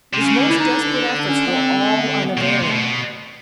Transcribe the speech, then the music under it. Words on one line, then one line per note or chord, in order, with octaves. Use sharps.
His most desperate efforts were all unavailing.
C3 C#4
C#3
D3
E4
D#4
D4
D4
C#4
B3
C4
B3
C4
B3
B2
C3 A#3
C3 A3
B2